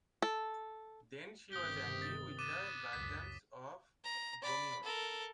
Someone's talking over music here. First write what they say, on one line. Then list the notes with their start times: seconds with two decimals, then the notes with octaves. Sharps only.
Then she was angry with the guardians of Bromios.
0.22 A4
1.52 G1 C3 D#3 G4 D#6 G7
2.02 A6
2.39 B3 D6 D#7 E7
2.93 C#2 F#2 B6
4.04 A#5
4.42 D5 B5
4.84 A4 A#4